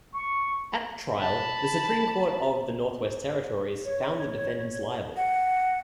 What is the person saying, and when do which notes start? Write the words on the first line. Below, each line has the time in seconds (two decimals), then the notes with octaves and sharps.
At trial, the Supreme Court of the Northwest Territories found the defendants liable.
0.13 C#6
1.17 A5 B5
3.85 C#5
5.16 F#5